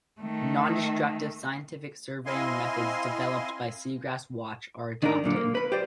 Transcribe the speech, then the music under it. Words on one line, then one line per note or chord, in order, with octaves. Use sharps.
Non-destructive scientific surveying methods developed by Seagrass-Watch are adopted.
D#3 A3
C4 E4 D#5 F5 G#5 C6
D#3 D4 D#4 A#4
F#2 A#2 D3
A#3
B4 B5
G4 C5 D5